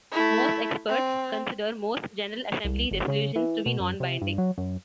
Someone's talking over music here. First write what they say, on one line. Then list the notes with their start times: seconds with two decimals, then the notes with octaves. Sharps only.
Most experts consider most General Assembly resolutions to be non-binding.
0.12 A3 E4
0.89 C4
2.65 C2
2.91 G1
3.08 C#3
3.36 E3
3.66 B2
3.80 F#2
4.00 C3
4.21 G2
4.38 F#3
4.58 F#2